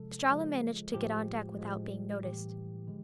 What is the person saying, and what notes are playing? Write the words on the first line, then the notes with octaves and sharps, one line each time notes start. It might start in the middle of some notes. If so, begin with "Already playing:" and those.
Estralla managed to get on deck without being noticed.
Already playing: C3 F3 G#3 A4
C#3 F3 G#3
A2 F3 G#3 G4
A2 F3 G#3
A2 E3 G3 G4
D3 F3 G#3